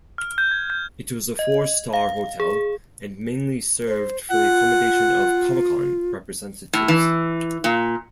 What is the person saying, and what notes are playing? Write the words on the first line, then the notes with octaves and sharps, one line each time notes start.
It was a four-star hotel and mainly served for the accommodation of Comecon representatives.
F6
G6
G#6
G6
D#5
F5
G#4
C5
F4 F#5
A2
E3
A#2